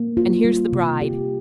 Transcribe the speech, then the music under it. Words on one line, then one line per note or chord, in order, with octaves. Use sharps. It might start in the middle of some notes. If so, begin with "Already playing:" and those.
And here's the Bride!
Already playing: A#3
F4
G3
C3
G4